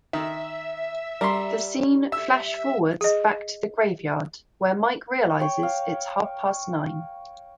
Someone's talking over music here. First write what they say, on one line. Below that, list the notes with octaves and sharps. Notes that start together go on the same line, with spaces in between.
The scene flash-forwards back to the graveyard, where Mike realizes its half-past nine.
D#3 E5
G3 A#4 C6
E5 E6
G#4 D#5
C#5 G5
F5